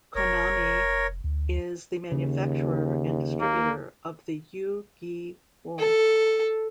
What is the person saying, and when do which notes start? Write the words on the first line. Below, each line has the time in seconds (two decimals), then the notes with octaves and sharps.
Konami is the manufacturer and distributor of the Yu-Gi-Oh!
0.15 F1 A#4 C#5
1.24 D2
2.12 D#2 C#3
3.40 A#3
5.78 A4